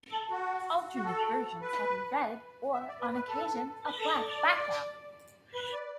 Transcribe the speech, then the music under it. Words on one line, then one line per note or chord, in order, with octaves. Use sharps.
Alternate versions had a red or, on occasion, a black background.
A4
F#4
F#4
A4
B4
E5
D5
B4
B4
A4
B4
A4
D5
D5
B4
D5